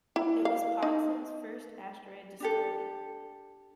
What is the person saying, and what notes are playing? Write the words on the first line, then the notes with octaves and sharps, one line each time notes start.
It was Pogson's first asteroid discovery.
E4
F5
D#4
D4 G4 A4